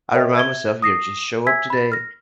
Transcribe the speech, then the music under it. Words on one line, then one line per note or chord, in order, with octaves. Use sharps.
I remind myself, you know, "Just show up today,"
A#4 C#5 D#5 E5 G5
E5 G#6 G7
D#6 A#6 C7
E5 G#5 E6 G#6 B6
B5 A6
F6 A#6